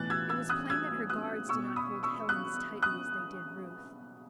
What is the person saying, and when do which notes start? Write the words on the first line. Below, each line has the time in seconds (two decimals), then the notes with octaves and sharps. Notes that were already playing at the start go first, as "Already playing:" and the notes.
It was plain that her guards did not hold Helen as tightly as they did Ruth.
Already playing: B1 A2 E3 F#6 A6
0.10 E6 G#6
0.30 E6 G#6
0.49 D#6 F#6
0.70 E6 G#6
1.10 D#6 F#6
1.49 B1 B2 C#6 E6
1.76 B5 D#6
2.03 C#6 E6
2.29 D#6 F#6
2.82 D#6 F#6